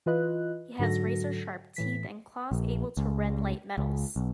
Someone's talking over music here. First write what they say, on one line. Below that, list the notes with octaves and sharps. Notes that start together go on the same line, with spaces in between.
He has razor sharp teeth and claws able to rend light metals.
E3 F4 B4 D#5 F#6
G#2 D3 F#3 F#4 A4 A#6
A2 E3 B6
A#1
C#2
C#2
B1